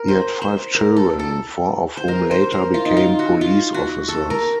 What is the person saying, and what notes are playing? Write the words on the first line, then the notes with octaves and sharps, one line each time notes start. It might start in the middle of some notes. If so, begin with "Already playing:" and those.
He had five children, four of whom later became police officers.
Already playing: A#4
C5
C5
A#4
A4
A4
C5
A#4
C5
A#4
F4
D#4
F4
F#4
F4
F#4
A4
A#4